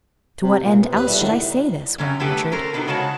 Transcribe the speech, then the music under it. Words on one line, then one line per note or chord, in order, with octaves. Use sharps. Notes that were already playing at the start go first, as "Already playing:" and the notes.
"To what end, else, should I say this?" went on Richard.
C3
A#2
B3
D#2 B4
G3 A3
A2 D3 D#3
F#2 C3 C#4
D3 A3 B3 G4 A4 B4
C#4 A4 A#4 C5
C3 B3 D4 D#4 F#4
C#3 G#3 F#4 C#5 A5